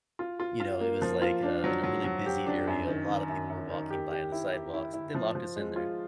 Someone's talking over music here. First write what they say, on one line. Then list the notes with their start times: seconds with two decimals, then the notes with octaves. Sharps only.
you know, it was like, uh, in a really busy area, a lotta people were walking by on the sidewalks, they locked us in there,
0.19 F4
0.40 F4
0.60 F4
0.81 A#3
1.02 F3
1.22 F4
1.43 D4
1.64 F#3
1.84 F#3
2.04 F#3
2.26 G4
2.46 D4
2.67 F#2
2.87 D#3
3.08 D#3
3.29 F#2
3.50 F#2
3.70 D#3
3.90 G4
4.11 G4
4.32 E4
4.53 G4
4.73 E4
4.94 E4
5.15 F3
5.35 F3
5.56 G#3
5.76 F4